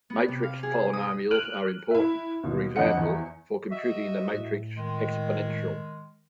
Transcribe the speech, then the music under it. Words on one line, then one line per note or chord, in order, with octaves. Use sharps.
Matrix polynomials are important for example for computing the Matrix Exponential.
B3
C3
F5
G#4
D#6
F6 F#6 D7 D#7 F7 F#7
E4 E5
D#2 B2
F2 D4 D#5 F#5 C#7
E2
F#4 D#5 E5
A2
D#3 G#3